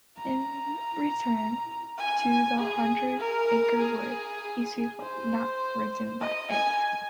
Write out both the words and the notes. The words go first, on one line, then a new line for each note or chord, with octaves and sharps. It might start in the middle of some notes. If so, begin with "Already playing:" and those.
In "Return to the Hundred Acre Wood", a sequel not written by A.
A#5
G#5
G#4
A#4
G#4
C5
D#5
G#5